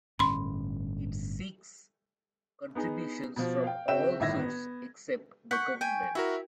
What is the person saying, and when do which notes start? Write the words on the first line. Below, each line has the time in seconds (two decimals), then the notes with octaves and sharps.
It seeks contributions from all sources except the government.
0.19 G1 A2 C#4 B5 C6
2.75 B3 D#4 G#4
3.36 B2 F3
3.64 F5 G5
3.88 C#3 C4 F#4 E5 G5 E7
4.20 G1 A2 D#3 E5 G#6 A#6
4.39 B3
5.51 F#5 C#6 G6 B6
5.81 G5 G#5
6.15 E4 F#4 A#4 E5